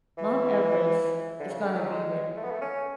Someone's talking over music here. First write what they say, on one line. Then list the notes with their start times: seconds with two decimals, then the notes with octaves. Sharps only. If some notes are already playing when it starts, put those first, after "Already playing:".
Mount Everest is gonna be there
0.18 E3
1.40 D3
1.51 C#3
1.63 D3
1.76 F#3
1.87 G#3
2.37 A3
2.44 B3
2.51 A3
2.61 C#4